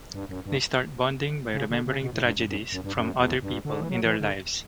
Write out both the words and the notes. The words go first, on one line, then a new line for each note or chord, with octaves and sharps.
They start bonding by remembering tragedies from other people in their lives.
G2
F#2
G2
C#3
D3
C#3
B2
A2
G2
F#2
F#2
F#2
G2
F#2
E2
G2
D3
E3
F#3
E3
D3